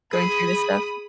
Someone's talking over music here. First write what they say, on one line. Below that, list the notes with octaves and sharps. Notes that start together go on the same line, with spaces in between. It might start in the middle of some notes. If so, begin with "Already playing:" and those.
going through this stuff?
G#4 B5 D#6